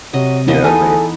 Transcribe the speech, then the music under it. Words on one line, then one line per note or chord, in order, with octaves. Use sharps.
You know what I mean?
C3 F#3 D#5
D#2 E3 B3 D#5
E3 D#4 G#4 A4